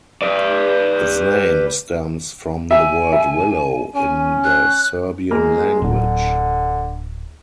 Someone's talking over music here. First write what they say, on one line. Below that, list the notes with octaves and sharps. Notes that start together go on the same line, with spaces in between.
Its name stems from the word "Willow" in the Serbian language.
B4 D5
E5 G#5
E5
C#4 G#5
F#6
G#3 A#3
D1 D3